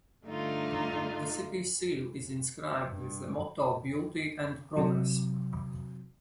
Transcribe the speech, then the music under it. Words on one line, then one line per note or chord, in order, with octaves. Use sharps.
The city seal is inscribed with the motto "Beauty and Progress".
G2 D3 A3 D#4 F4
G2
C3 F#3